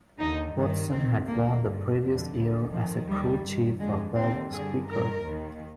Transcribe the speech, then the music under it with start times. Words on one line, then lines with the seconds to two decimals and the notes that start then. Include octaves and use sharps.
Watson had won the previous year as a crew chief for Bob Sweikert.
0.18 D#2 D3 D#4
0.55 G2 D#3
0.91 D#2 D#3 C4
1.27 D2 D3 A#3
1.63 G2 D3
1.99 F2 D3
2.36 D2 D3
2.71 F2 D#3 F3
3.08 D#2 D#3 G3
3.43 G2 D#3
3.79 F2 D3 G#3
4.15 D#2 D3 C4
4.52 G2 D3 G#4
4.88 G2 D#3 A#4
5.24 D#2 D#3